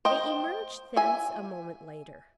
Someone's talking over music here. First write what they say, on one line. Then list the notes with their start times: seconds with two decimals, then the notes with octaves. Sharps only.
They emerged thence a moment later.
0.05 C5 D#5 G5
0.96 E5 G#5